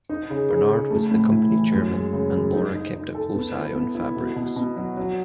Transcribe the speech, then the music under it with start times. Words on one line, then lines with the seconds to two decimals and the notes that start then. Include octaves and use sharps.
Bernard was the company chairman and Laura kept a close eye on fabrics.
0.09 D#4
0.30 C#3
0.51 C#3
0.71 C#3
0.91 A3
1.11 A2
1.32 E4
1.52 E3
1.72 F#2
1.93 G#3
2.13 C#3
2.33 F#2
2.53 D#4
2.74 D#4
2.94 D#4
3.15 A4
3.35 B3
3.55 E4
3.75 B3
3.95 E4
4.16 B2
4.36 B2
4.56 B2
4.77 F#3
4.97 F#3